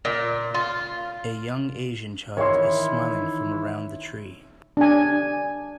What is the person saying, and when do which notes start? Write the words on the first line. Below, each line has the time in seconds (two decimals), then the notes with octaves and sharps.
A young Asian child is smiling from around the tree.
0.05 A#2
0.54 F4
2.37 D#3 E3 E4 C#5 C6
4.77 D4 G#5